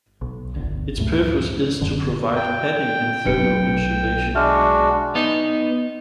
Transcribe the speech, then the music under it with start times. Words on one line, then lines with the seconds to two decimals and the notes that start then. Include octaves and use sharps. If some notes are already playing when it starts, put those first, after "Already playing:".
Its purpose is to provide padding and thermal insulation.
0.21 B1
0.56 G1 D2
0.97 C#2 F#2 A2 A3
1.81 D1 F#2 D3
2.36 G5
3.25 B1 B2 D4 B4 C#7
4.35 G#3 D4 F#4 E5 F6
5.15 B3 D#4